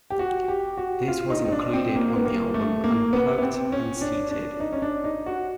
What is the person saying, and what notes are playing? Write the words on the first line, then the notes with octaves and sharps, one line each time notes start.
This was included on the album "Unplugged...and Seated".
G4
F#4
G4
F#4
F4
D#4
D#4
D4
C4
A#3
B3
A#3
A3
A#3
B3
B3
C4
C#4
D4
D4
D#4
C#4
D4
D#4
F#4